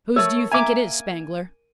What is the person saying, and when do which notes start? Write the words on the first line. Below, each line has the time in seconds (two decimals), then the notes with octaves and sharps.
"Whose do you think it is, Spangler?"
0.16 A3 A#4 C#5
0.52 A#3 E5 G#5 A#5 D6